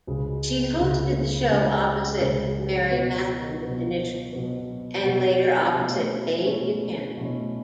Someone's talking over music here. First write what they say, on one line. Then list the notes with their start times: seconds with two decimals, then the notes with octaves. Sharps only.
She hosted the show opposite Mary Matalin initially, and later opposite Bay Buchanan.
0.07 C#2 C#3 G#3
0.78 C#2 C#3 G#3
1.50 C#2 C#3 G#3
2.21 C#2 C#3 G#3
2.91 B2 F#3 B3 F#4 B4
3.62 B2 F#3 B3 F#4 B4
4.32 B2 F#3 B3 F#4 B4
5.03 B2 F#3 B3 F#4 B4
5.75 B2 A3 C#4 E4
6.46 B2 A3 C#4 E4
7.17 B2 A3 C#4 E4